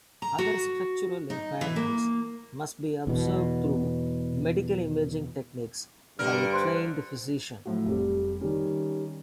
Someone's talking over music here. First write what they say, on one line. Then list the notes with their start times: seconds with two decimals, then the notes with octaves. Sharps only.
Other structural impairments must be observed through medical imaging techniques by a trained physician.
0.22 A#5
0.38 F#4
1.30 D#4
1.61 E3
1.76 A#3
3.07 E2 B2
6.19 G2 D3 A#4 F6
6.53 C5 C6 F#6
7.66 A2 F3 F#3
7.86 F1 G3
8.41 D#3 G3 C#4